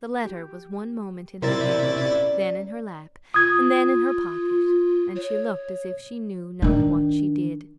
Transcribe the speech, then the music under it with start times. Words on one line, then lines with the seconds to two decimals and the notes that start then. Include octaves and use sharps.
The letter was one moment in her hand, then in her lap, and then in her pocket; and she looked as if she knew not what she did.
0.25 G4
1.42 C3 E4 A#4 C5 D5 A6
1.82 C#4 D5
3.34 F4 D#6 G#6
5.15 C#5
6.62 D#3 D4